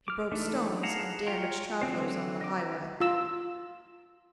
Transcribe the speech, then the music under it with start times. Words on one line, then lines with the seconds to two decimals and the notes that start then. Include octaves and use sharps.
He broke stones and damaged travellers on the highway.
0.08 D6 F6
0.31 E3 A3 D4 D#4
0.83 G#4 F5 F#5 A5 A#5
1.27 F4 C#5 G5 A#5 C6
1.81 D3 F#3 C4 C5
2.41 D#5 D6
3.00 F4 E6